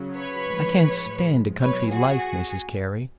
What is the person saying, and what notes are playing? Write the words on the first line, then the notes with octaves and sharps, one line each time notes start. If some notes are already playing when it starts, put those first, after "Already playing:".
I can't stand a country life, Mrs Carey.
Already playing: C#3 F#3
B4 C#5
A2 F3 G#3
A2 F3 G#3
B2 F#3 B4 C#5
F#4 G#4